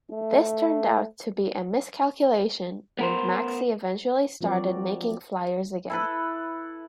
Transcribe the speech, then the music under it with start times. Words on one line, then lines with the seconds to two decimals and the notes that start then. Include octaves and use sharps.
This turned out to be a miscalculation and Maxi eventually started making flyers again.
0.11 A3
2.99 B3 A#4 C5
4.41 F3 F#3 C4 F#4 A#4 D5
5.90 E4 A4 B4